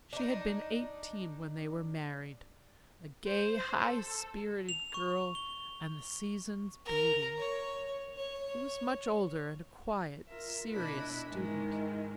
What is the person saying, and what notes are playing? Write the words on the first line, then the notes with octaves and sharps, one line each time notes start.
She had been eighteen when they were married--a gay, high-spirited girl and the season's beauty. He was much older and a quiet, serious student.
D4 D#4
C5
A4
F7
C#6
G7
A#4
C#5
C#5
F4 A#4 E5
B2 D4 E4 D#5 B5 F#6
G#2 D#3 E3 G#3